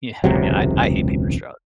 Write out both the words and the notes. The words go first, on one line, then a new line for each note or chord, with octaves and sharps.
Yeah, I mean, I I hate paper straws.
E1 C#2 C3 F#3